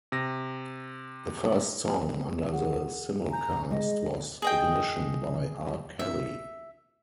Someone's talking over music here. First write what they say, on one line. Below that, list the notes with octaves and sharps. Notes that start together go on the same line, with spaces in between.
The first song under the simulcast was "Ignition" by R. Kelly.
C3 A#6
G#4 F#5
G#5 A#5 G6
G#3 D#5
G#4 D#5 G5
E5